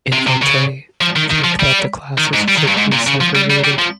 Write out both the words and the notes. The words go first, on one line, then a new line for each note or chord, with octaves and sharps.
Infante, think that the classes should be segregated.
C3
C3
C#3
F3
D#3
D#3
F3
G3
D#3
G#2
G3
D#3
G2
G#2
A#2
C#3
F3
G3
G3
G3
F3